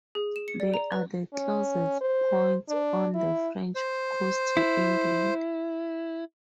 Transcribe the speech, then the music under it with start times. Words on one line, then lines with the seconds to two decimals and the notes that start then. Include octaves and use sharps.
They are the closest points on the French coast to England.
0.15 G#4
0.36 E7
0.48 C#7
0.60 D5
0.74 A#5
0.92 B4
1.33 C#4
2.01 C5
2.69 D4
3.14 E4
3.75 C5
4.57 E4